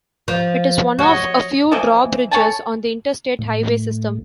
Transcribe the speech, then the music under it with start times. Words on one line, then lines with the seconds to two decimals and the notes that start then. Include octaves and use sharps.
It is one of a few drawbridges on the Interstate Highway System.
0.28 F3
0.99 F#4 C#5 D#5
1.72 E3 F3 D#5
2.31 A4 C#5 G#5 A5
3.39 A2